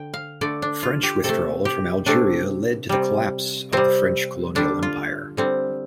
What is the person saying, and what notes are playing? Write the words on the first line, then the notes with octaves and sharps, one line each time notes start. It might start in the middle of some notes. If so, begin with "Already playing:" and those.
French withdrawal from Algeria led to the collapse of the French colonial empire.
Already playing: D3 G5
F5
D3 A3 D5
D4
F4
G4
C3 A3 A4
G4
C3 A3 D4
C3 G3
C3 G3 C4
D3 G3 D4
F4
D3 G3 C4